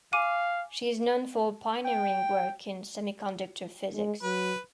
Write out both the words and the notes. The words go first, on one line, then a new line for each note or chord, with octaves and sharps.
She is known for her pioneering work in semiconductor physics.
F5 G#5 D6 D#7
G5
G#3
F#3 B4